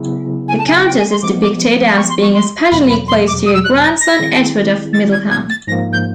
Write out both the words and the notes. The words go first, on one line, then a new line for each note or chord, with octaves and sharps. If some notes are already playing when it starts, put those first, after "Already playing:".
The Countess is depicted as being especially close to her grandson Edward of Middleham.
Already playing: C#3 F#3 B3 E4 G#4
G#5
A5
G#5
F#5
G5
G#5
C6
F3 G#3 B3 D6
D6
C#6
C6
C#6
C6
E2 B2 F#3 B5
B5
C6
D6
D#6
E6
F#6
A6
A#6
D#3 G3 C4 E4 G#4
A6
G#6
G#6
A6
G#2 F3 A#3 A#6
G6